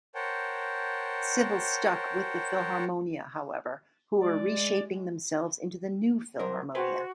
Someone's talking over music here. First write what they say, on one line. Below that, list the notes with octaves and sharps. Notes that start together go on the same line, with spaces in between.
Civil stuck with the Philharmonia however, who were reshaping themselves into the New Philharmonia.
A#4 C5 C#5 F#5 G5 A5
G#3 D5
C2 F#3 A#4 C5
F#4 G#4 B4 C5 G5